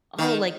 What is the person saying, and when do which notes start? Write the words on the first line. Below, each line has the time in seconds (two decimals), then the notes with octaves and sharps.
oh, like
0.18 D#3 D#4